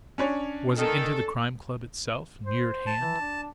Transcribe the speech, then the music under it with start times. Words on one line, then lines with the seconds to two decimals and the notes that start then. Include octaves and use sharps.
Was it into the Crime Club itself--near at hand?
0.18 C#4 D4 C#5
0.77 D#3 A4
2.45 C5
2.87 A5
3.00 E3
3.20 D4